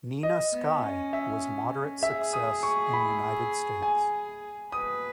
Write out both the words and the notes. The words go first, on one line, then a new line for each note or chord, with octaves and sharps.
"Nina Sky" was moderate success in United States.
D#5
B3
C#4
E5
G#4 E5
D#6
C#6
B5
G#5
B4 D#6